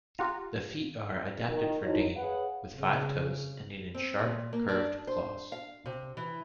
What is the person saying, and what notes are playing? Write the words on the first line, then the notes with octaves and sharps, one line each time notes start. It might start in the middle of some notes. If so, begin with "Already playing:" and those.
The feet are adapted for digging, with five toes ending in sharp, curved claws.
F4 G4 F#5 A#5
D#3
D#3 F3 D#4 E4 F#4 C#5
G#4 B4 C#5 F5 F#5
C#3
C4
A#2
A#3
D4
C5
F5
C3
E3